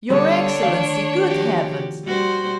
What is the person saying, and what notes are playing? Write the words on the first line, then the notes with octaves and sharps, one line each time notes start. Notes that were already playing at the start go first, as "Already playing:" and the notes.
"Your Excellency, good heavens!"
D3 G3 B3 C#4 D4 C#5
D#3 A3 F5
F3 F#4 G4
G3 F#4 C5